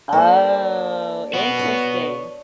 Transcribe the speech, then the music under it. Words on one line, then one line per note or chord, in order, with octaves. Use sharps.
Oh, interesting.
A#3 D4 A4 C5
B3 F#4
C#5